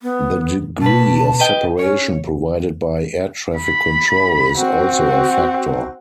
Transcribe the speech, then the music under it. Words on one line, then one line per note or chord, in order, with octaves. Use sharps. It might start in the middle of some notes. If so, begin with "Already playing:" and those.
The degree of separation provided by air traffic control is also a factor.
B3
B2 B4 A5
B4 D#5 G5
C#4 C#5
B5
C4 F#4